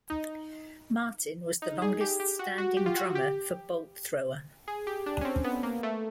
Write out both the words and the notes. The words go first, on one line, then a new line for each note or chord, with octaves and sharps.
Martin was the longest standing drummer for Bolt Thrower.
D#4
D#4
G#4
G4
G4
F#4
F#4
G4
F4
F#4
G4
G#4
G4
D4
C#4
C4
B3
A#3
A3